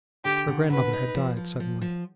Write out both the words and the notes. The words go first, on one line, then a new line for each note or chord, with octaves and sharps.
Her grandmother had died suddenly.
D3 G4
D3
D3 B4
D#4
F3
F3
F3
F3